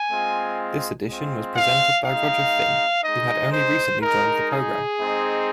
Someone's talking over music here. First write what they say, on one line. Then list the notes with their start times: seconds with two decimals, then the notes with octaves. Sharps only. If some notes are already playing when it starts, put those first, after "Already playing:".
This edition was presented by Roger Finn, who had only recently joined the programme.
Already playing: G#5
0.10 G#3 C4 F4
1.08 G#3 C4 F4
1.57 F5
2.06 G#3 D#4 F5
3.04 G#3 D#4 D#5
3.53 C5
4.02 G#3 D#4 A#4
4.51 G#4
5.00 G#3 C4 D#4